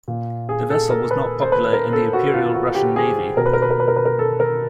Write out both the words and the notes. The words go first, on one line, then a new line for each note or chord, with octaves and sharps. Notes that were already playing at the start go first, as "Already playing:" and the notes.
The vessel was not popular in the Imperial Russian Navy.
A#2
G#4
A4
A#4
B4
C5
B4
A#4
A4
F#4
F4
F#4
G4
G#4
B2 A#4
B4
A#4
B4
A#4
B4
A#4
B4
A#4
A4
A#4